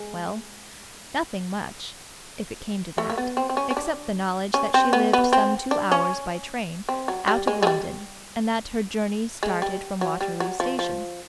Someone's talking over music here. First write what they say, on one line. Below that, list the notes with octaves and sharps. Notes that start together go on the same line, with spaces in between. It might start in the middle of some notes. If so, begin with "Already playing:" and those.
Well, nothing much, if it came to that, except the knowledge that she lived some two hours by train out of London, and that her journey started from Waterloo Station.
Already playing: G#3
A3
A#3
B3
C4
C4
C#4
C#4
D4
C#4
C4
B3
B3
C4
D4
C#4
C4
F#3
G3
G#3
G#3
G3
G#3
G3
F#3
G3
F#3
F3
F3